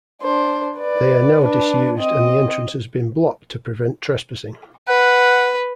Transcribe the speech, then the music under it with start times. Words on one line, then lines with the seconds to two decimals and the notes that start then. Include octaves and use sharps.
They are now disused and the entrance has been blocked to prevent trespassing.
0.22 D4 C5
0.78 B4 D5
1.43 D4 B4
1.98 C4 D#5
4.88 B4 F#5